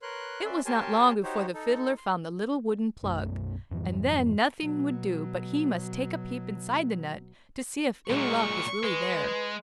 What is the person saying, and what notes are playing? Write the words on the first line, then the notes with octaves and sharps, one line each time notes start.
It was not long before the Fiddler found the little wooden plug, and then nothing would do but he must take a peep inside the nut to see if Ill-Luck was really there.
A#4 B4 C#5 C6 F#6
C#4 B4 D5 E5 C6
G4 A#4 C#5 G#5 A5 C6
D#4 F#4 G4 C5 C#5
D#4 A4
C6
B1 F#2 A3
F2 G#2 E3 G3
B2 F#3
A#2 F#3 G#3 C#6
G#3 B4